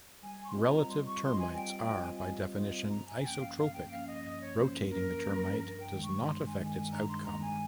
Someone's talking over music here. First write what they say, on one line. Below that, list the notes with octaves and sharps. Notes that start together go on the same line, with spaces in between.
Relative turmites are, by definition, isotropic; rotating the turmite does not affect its outcome.
G3 G#5
C#6
C6
C4 F4 C5 D#5
A#5
G3 C6
C#6
C4 F4 C5 D#5 C6
G#5
G3 G5
G5
C4 F4 C5 D#5
G#5
G3
C4 F4 C5 D#5
G2 A#5
G#5
F3 A#3 C#4 G5
F5
G2 F5
G5
F3 A#3 C#4 F5
D#5
G2 D#5
C#5
F3 A#3 C#4 C5
G2 A#4
F3 A#3 C#4
G2 A#4
G5
D#3 G#3
C#6
G2 C6
G#5
D#3 G#3
G#5
G2 A#5
C6
D#3 G#3 A#5
G#5